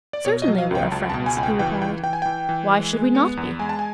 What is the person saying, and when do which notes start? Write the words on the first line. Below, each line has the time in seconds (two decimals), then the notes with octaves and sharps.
"Certainly, we are friends," he replied; "why should we not be?"
0.13 D5
0.25 B2 C#5
0.42 D#5
0.48 F#3
0.58 F5
0.71 C#2 G5
0.92 C#2 A5
1.10 A5
1.14 B2
1.26 G#5
1.37 C#2 G#5
1.43 G5
1.59 E3 G5
1.82 E3 G5
2.03 E3 G5
2.13 G#5
2.22 E3 G5
2.49 E3
2.71 G#3
2.93 G#3
3.15 B3
3.37 E2
3.59 G#3 G#5
3.69 A5
3.79 G#5